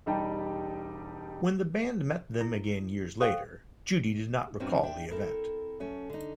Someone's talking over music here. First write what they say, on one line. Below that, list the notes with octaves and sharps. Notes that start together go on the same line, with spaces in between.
When the band met them again years later, Judy did not recall the event.
E1 G3 D#4 G4 G5 A5
E4
G4 A4 C5 F5 G5
G2 A#2 C4 C#4 D#4 F#4
D4 C5 D5 E5 G5
C4 E4 A4 A#4
F#2 A3 C#4
D3 D#4